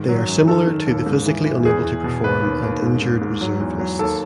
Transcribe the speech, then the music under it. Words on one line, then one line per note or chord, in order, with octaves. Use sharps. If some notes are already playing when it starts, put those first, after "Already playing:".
They are similar to the physically unable to perform and injured reserve lists.
Already playing: G#2 D#3
F#3
F#2
D#3 A4
D#3
D#2
G#2
E3
E3
E2 G#4
E2
B2
D#2 B4
D#2
D#2
G#2
G#2
G#2
F#3
E2
F#3
D#2 A4